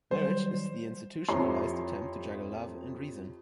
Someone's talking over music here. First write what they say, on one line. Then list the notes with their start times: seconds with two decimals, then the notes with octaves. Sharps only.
Marriage is the institutionalized attempt to juggle love and reason.
0.11 D#3 F#3 G3 C5
1.29 F2 E4 G4 C#5 A#5 C6